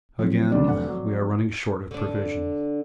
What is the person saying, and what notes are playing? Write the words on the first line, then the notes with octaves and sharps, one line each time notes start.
Again we are running short of provision.
F3 F#3 C4
D2 D#3 D4 D5
F1 D3 F#5
F#3
D3 D4